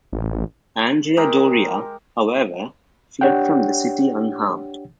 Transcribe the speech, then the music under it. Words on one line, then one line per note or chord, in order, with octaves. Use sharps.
Andrea Doria, however, fled from the city unharmed.
A1
G#3 G4 A#4 A#5
D4 G4 C#5 F#5 G5